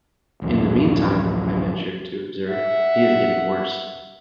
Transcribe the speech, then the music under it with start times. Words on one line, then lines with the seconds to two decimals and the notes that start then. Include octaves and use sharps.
"In the meantime," I ventured to observe, "he is getting worse."
0.42 D1 A1 F#2 F3
2.47 E5 F#5